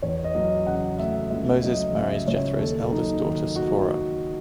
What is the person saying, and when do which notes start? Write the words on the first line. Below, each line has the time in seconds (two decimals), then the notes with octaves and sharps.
Moses marries Jethro's eldest daughter Sephora.
0.02 E2 C#5
0.24 D#5
0.35 F#3
0.67 C#3 F#5
0.99 A3 E5
1.31 C#2 E5
1.63 F#3 D#5
1.95 C#3 E5
2.27 C#2 C#5
2.59 D#2 A4
2.92 F#3 D#4
3.24 D#3
3.56 F#4